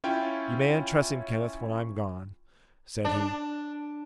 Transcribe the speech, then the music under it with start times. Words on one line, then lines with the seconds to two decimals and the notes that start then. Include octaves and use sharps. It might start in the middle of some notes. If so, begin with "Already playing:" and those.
"You may untruss him, Kenneth, when I am gone," said he.
0.04 C#4 E4 F4 C#5 G5
3.05 D4